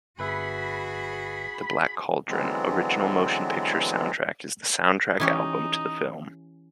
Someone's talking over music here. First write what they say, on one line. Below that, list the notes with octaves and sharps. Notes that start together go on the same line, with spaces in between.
The Black Cauldron: Original Motion Picture Soundtrack is the soundtrack album to the film.
G1 F#4 G#4 B4 E5 B5
D3 E3 F#3 G#3 B3 C4
E3 C#4 D#4 G4